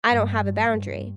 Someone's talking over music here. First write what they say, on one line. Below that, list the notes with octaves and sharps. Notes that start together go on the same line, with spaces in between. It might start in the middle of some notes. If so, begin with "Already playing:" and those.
I don't have a boundary.
G2
G2